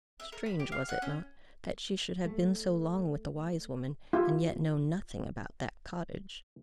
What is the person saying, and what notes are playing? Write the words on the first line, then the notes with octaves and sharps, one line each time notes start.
Strange, was it not, that she should have been so long with the wise woman, and yet know NOTHING about that cottage?
E5
A#4
B5
G4
F5
F#5
C#4
A3
E4 F4 G4